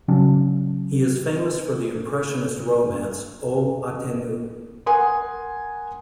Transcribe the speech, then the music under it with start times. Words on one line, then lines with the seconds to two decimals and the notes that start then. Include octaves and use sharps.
He is famous for the Impressionist romance "O Ateneu".
0.08 C#3 F#3 C#4 D4
4.86 A#4 F#5 G#5 C6 D#6